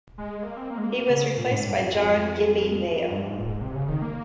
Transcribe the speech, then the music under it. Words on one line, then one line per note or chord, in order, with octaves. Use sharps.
He was replaced by John 'Gypie' Mayo.
G#3
A#3
C4
A#3
G#3
A#3
A#3
C#3
A#2
G#2
G2
F2
F2
G2
G#2
A#2
G#2
C3
C#3
D#3
A#3